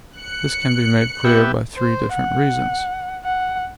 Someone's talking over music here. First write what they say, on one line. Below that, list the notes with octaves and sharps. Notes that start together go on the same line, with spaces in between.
This can be made clear by three different reasons.
F#6 C#7
B3 G4 E5
C5
F#5
F#5